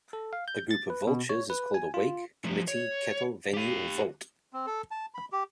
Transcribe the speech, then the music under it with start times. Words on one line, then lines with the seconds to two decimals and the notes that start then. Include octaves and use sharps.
A group of vultures is called a wake, committee, kettle, venue, or volt.
0.13 A4
0.33 F5
0.48 G6
0.71 A6
0.90 B4
1.07 B2
1.29 C#5
1.50 B4
1.74 G#5
1.94 F4
2.44 F3 A3
2.68 C#5
3.54 G4 F5
4.53 C4
4.67 A4
4.91 A5
5.14 B5
5.32 G4